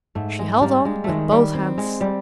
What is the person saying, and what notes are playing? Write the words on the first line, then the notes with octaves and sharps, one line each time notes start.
She held on with both hands.
G#2 A3
G#3
G3 A#3
G#3
D#3 G#3 A3
G3
C4
G#3
G3